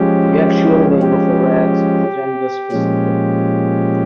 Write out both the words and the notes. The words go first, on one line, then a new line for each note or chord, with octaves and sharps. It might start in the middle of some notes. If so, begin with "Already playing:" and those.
The actual name of the ranks is gender-specific.
Already playing: F3 G#3 C#4 G4
G4
A#2 F3 G#3 C#4